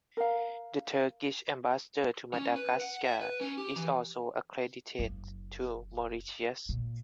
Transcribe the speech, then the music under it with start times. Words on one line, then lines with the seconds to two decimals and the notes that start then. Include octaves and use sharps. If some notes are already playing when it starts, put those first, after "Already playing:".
The Turkish ambassador to Madagascar is also accredited to Mauritius.
0.17 A#4 F5
2.34 C#4
2.56 B4
2.81 F#5
3.05 E5
3.21 B4
3.41 C#4
3.58 G4
3.76 E3
4.99 F#1
6.69 A#2